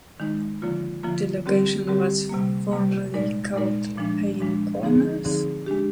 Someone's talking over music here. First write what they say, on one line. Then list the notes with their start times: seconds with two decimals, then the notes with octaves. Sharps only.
The location was formerly called Payne's Corners.
0.20 D#3 G#3 D#4
0.62 D3 F3 A#3 F4
1.04 D3 F3 A#3 F4
1.46 D3 G3 C4 G4 A#4
1.88 D3 G3 C4 G4 A#4
2.29 C3 G3 A#3
2.71 C3 G3 A#3
3.14 A#2 G#3 D#4 A#4 D5
3.56 A#2 G#3 D#4 A#4 D5
3.98 A#2 F3 G#3 D4
4.40 A#2 F3 G#3 D4
4.82 D3 F3 C4 D#4 G#4
5.24 D3 F3 C4 D#4 G#4
5.66 G#3 D4 G4